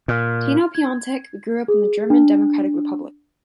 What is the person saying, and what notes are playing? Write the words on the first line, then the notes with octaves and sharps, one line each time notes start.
Tino Piontek grew up in the German Democratic Republic.
A#2
G#6
G#4
D4